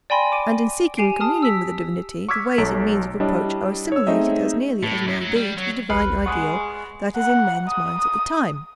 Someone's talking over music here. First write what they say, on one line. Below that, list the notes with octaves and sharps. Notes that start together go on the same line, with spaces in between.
And in seeking communion with the divinity the ways and means of approach are assimilated as nearly as may be to the divine ideal that is in men's minds at the time.
D5 G5 G#5 B5 C6 A#6
D6 D7 D#7
G4 G#5 C7 D7
A5 D#6 F6
E6 B6
C#6 D6 E6 F6 G#6 B6
B1 A4 C#5 A#5 D7
G3 D4 E4 C#5 D#5
C#5 E6
A3 C4 D#4 G#4 D#5 E5
A2
F#2
F#3
G3
F#3
A1 D2 B4 F6 C7 C#7
G#3 F#5 B5 C#6 D#6 F#6
F#5
D#6